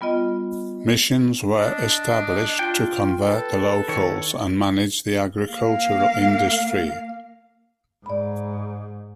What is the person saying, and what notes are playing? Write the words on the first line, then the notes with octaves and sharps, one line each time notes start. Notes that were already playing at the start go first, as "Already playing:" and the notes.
Missions were established to convert the locals, and manage the agricultural industry.
G3 B3 F4 D#5
D4 D#5
F4 G5
A4 B4
D#3 C#5
A#3 F5
G#2 D5 B5